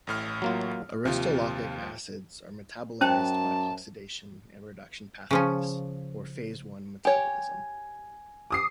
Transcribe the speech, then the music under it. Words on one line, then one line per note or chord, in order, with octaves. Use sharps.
Aristolochic acids are metabolized by oxidation and reduction pathways, or phase one metabolism.
A1 A2 F6
F#3 A#3 F4
D#2 C3 F3 F4
F#2 C#4 C5 G5 A5
C#3 F3 C#4
G4 C#5 G#5 G#6
D6 D#6 C7